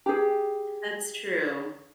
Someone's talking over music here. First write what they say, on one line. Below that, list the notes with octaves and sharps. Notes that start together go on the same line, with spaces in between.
That's true.
G4 G#4